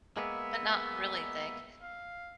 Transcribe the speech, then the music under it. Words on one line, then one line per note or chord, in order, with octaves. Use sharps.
but not really thick.
G#3 A#3 B3 E5
F5